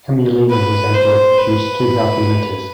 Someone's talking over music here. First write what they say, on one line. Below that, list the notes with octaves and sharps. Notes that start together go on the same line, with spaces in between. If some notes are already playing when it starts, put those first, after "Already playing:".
Cumulina was able to produce two healthy litters.
B4
C5
B4